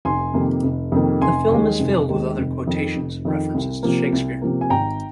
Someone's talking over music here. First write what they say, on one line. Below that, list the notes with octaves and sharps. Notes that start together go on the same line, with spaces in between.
The film is filled with other quotations and references to Shakespeare.
F1 G#5 C6
F2 C3 D#3 A#3
F1
F2 C3 D#3 A#3
F1 G#5 C6
D#2 D#3 G#3
F1
D#2 D#3 G#3
F1
F2 D#3
F1
F2 D#3
C2
C3 F3 A#3
C2
C3 F3 A#3
G#5
G#1 G5 A#5